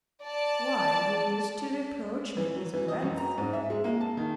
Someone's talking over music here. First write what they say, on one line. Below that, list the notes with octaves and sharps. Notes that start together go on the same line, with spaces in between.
Why, you used to reproach me with breadth!
D5 A5
E3
F#3
E3
D#5
F#2
A#5
G#2
E5
G#3
A#3
A5
D#3